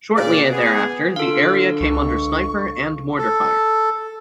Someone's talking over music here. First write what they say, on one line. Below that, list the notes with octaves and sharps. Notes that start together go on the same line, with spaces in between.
Shortly thereafter, the area came under sniper and mortar fire.
A#2 C#3 D5
B3 G#4
D3 F4 A4 F5
C#2 C#6
A4